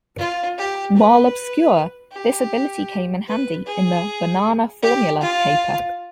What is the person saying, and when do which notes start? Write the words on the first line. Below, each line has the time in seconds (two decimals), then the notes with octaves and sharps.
While obscure, this ability came in handy in the "Banana Formula" caper.
0.18 F4
0.58 G4
0.96 B4
2.12 G4
3.27 B4
3.66 G#4
4.82 G4
5.21 F4